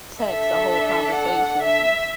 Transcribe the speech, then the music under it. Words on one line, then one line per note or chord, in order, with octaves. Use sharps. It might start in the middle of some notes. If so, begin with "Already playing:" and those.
text a whole conversation
D4 A4 E5
F#5
E5